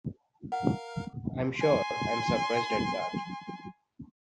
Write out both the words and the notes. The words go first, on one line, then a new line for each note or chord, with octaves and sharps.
I'm sure I'm surprised at that.
A#4 F5 F#5
G#5 C6